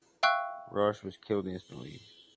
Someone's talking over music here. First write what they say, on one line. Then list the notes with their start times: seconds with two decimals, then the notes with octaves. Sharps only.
Rosch was killed instantly.
0.23 E5 F5 G5 C#6 E6 F#6